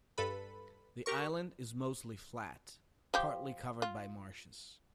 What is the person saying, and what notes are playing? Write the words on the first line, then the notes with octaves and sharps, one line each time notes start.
The island is mostly flat, partly covered by marshes.
G2 A4 B4 B5
G4 A#4 C#6
F3 G4
F4